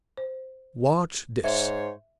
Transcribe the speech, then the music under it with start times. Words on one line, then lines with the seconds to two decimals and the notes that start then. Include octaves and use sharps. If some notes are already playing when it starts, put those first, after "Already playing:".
Watch this.
0.17 C5
1.44 G#2 C5 C#5 E5